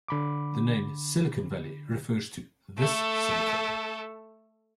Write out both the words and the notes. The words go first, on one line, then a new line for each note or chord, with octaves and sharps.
The name "Silicon Valley" refers to this silicon.
D3 B5 D6
A3 A4